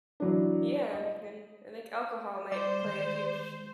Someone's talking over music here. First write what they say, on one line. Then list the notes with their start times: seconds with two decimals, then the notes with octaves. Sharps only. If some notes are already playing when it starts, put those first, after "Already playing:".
Yeah, and I think alcohol might play a huge
0.20 E3 F#3 D4
0.93 D#5
2.52 G3 C5 D5
2.83 D#3 G#3